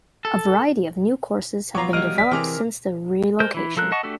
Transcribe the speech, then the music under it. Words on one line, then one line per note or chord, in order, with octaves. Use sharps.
A variety of new courses have been developed since the relocation.
A4
F#3 B3 F4 C#5 A#5 D6 C7
F#3 G3 A#3 D#5 F6 D7 D#7
D5 B6
C3 E3 G#4 A#4 D6 F6
G#3 A#4 C5 G6
E3 E4
F3 A4 A#4 F#6
D#5 F#5 A5 C#6
A3 D4 F#4 G4 A4